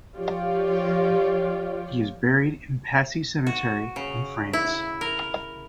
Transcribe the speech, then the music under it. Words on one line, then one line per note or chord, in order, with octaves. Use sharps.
He is buried in Passy Cemetery in France.
F3 F4 G4 C#5 D5
F#4
C#3
E4
A#4